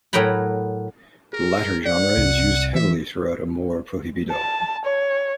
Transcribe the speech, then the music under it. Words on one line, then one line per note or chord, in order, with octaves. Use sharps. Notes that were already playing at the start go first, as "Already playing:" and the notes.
The latter genre is used heavily throughout "Amor Prohibido".
A2 F#3 A#4 G5 A#5 B5
G#4 A#4
D5 F#5
C2
E3 E5
A5
C#5